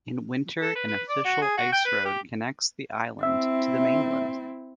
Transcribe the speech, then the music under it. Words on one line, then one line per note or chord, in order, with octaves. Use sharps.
In winter an official ice road connects the island to the mainland.
A4
B4
B4
D5
F#4
G#4
F#4
G5
B4
G4
C4 E4 E5